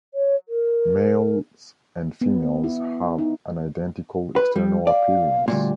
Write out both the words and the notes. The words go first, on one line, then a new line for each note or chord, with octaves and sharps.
Males and females have an identical external appearance.
C#5
A#4
B3
E4
D#4
B4
G3
D5 F5
D2 G2 A#2 G3